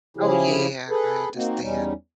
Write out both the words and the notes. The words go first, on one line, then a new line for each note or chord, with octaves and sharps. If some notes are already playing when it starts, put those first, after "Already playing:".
Oh, yeah. I understand.
C#3 F3 C#4 E4 G4 G#4
G#4 A4 B4
A#3 C4 D#4 F#4
E2 G3 C#4 D#4